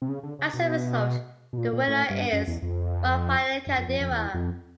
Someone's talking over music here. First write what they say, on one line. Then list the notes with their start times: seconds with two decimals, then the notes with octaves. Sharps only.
As a result, the winner is Rafael Caldera.
0.02 C3
0.09 C#3
0.23 D3
0.39 C#3
0.53 B2
1.53 B2
1.58 A#2
1.73 A#2
1.88 A2
2.10 G2
2.33 F#2
2.47 E2
2.62 F2
3.67 F#2
3.78 F2
3.89 F2
4.01 F2
4.11 E2
4.34 F2